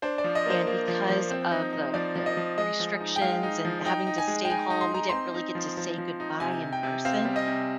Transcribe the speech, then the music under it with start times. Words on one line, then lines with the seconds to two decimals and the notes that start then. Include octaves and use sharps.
and because of the the restrictions and having to stay home, we didn't really get to say goodbye in person,
0.02 D4 C5
0.18 D5
0.24 F3
0.35 D#5
0.46 A#3 C5
0.67 A#3
0.88 F3
1.10 F3
1.30 C4
1.51 D#4
1.73 D#4
1.94 F3 D5
2.16 F3
2.26 D#5
2.37 F3
2.57 G#3 D#5
2.80 F3
3.01 D#4
3.16 G5
3.22 G#3 F5
3.43 D#4
3.65 F3
3.85 D#4 G5
4.07 D#4
4.18 G#5
4.28 G#3
4.45 G5
4.50 D#4 G#5
4.70 D#4
4.81 C6
4.92 D#4 A#5
5.09 C4 C6
5.34 D#4
5.55 F3
5.77 F3
5.98 F3
6.20 D#4
6.40 C3 G#5
6.63 C3
6.73 G5
6.83 C3
7.05 C4 F5
7.25 G3
7.36 D#5
7.48 C3